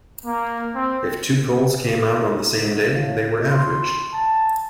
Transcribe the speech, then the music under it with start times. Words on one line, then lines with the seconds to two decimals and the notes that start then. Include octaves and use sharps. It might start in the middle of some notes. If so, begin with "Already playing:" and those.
If two polls came out on the same day, they were averaged.
0.25 A#3
0.74 C4
2.13 D#4
2.58 G#2
2.94 A2 F5
3.51 C6
4.13 A5